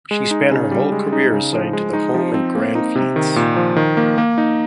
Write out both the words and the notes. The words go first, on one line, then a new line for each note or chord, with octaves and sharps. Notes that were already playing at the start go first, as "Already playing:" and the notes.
She spent her whole career assigned to the Home and Grand Fleets.
G#3
D#4
C#3
G3
G#3
D#4
C#3
F3
G#3
D#4
F3
C4
A#3
D#4
C3
D#3
A#2
F3
D#3
A#3
A#3
D#4